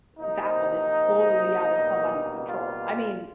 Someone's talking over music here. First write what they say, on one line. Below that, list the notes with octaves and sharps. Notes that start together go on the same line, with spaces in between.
that one is totally out of somebody's control, I mean
C3 F3 A#3 D#4
B2 G3 A#3
F4